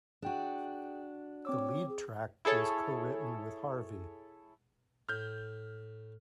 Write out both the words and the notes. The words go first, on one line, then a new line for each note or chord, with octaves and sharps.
The lead track was co-written with Harvey.
D4 F#4 G#4 G5
C4 C#5 D6 E6
G#4
E4 G#4 A4 C#5
A2 F6 G6